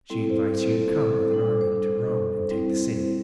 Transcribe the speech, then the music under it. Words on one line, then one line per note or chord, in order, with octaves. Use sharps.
She invites you to come with an army to Rome and take the city.
G3 C4 E4 A4
C5
C5
A4
A4
G3 D4 A4
C5
G3 C4 E4